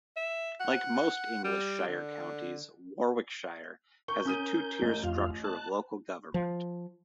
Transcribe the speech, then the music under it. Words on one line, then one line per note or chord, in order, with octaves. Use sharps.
Like most English shire counties, Warwickshire has a two-tier structure of local government.
E5
F#5
G3
D3
A#4 C#6 G6
C#4 D#6 D#7
A1
F2 F4 F5
A5 F#6
F3